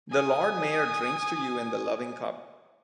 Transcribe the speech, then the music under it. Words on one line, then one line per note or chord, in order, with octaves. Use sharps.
The Lord Mayor drinks to you in the loving cup.
G#5 D#6